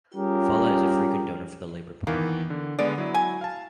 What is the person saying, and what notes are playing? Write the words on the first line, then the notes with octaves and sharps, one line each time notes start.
Follett is a frequent donor for the Labour Party.
G3 C#4 F4 G4 G#4 A#4
D#3 E3 A#3 B3
D3
D3 G#3 B3 D5
F#3 E4
G#5
F5 A5